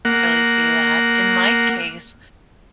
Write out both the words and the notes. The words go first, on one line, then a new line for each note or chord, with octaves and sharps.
Really see that. In my case,
A#3 F#5